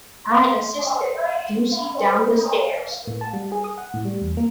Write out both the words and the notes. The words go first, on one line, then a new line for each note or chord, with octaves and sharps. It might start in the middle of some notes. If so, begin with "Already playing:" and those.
I assisted Gussie down the stairs.
F5 C6
A2
A5
G3
G#4
D#6
F#5
A2
G3
E2
A#3